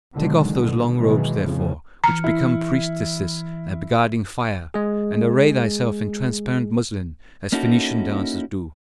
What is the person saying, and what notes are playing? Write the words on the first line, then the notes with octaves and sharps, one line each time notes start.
Take off those long robes, therefore, which become priestesses guarding fire, and array thyself in transparent muslin, as Phoenician dancers do.
D#2 B2 D3 D#3 F#3 G#3
C2 B2 D3
B2 D#3 E3 F#3 G#3 B3
A1 F2 A2 C#3 F3
E3 A#5 F6 C#7
E4
G#3 G#4
A#3 C#4 D#4 E4 F#4 A4